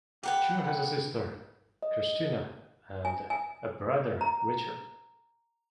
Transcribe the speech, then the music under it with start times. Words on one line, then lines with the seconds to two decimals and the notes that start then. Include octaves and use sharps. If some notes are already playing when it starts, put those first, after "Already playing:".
Chu has a sister, Christina, and a brother, Richard.
0.23 G4 A#4 B4 F#5
1.82 D#5
3.05 G#5
3.30 G#5
4.21 A#5